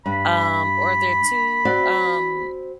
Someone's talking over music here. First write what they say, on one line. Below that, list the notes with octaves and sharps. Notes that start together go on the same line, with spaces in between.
um, or they're too, um,
G2 B5
C4 F#4 D5